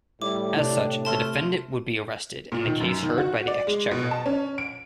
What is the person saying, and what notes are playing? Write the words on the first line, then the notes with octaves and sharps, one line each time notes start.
As such, the defendant would be arrested, and the case heard by the Exchequer.
A2 G3 E4 D6
C3 D4
A3 A5 C6 F6
A#2
D#3
F#2
D#3
F#4
D5
G#3
B2
A5
C#4
D7